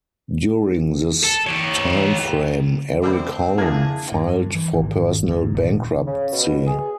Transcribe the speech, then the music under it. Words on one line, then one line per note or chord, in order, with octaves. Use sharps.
During this time frame, Eric Holm filed for personal bankruptcy.
A4
G4 C#5
D2 D3 C4 G5 A5 B5
F2 A#3 D4 E4 G#4 A5
G2
E3
G#1
G#2
D#1
C#3
B2
G#4